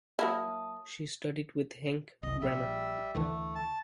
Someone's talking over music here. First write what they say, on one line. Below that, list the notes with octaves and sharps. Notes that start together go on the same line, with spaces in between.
She studied with Henk Bremmer.
F#3 A#3 E4 A5 D#6
F#1 C2 D#5
A#1 G3 E5
D2 D3 E3 A3
A5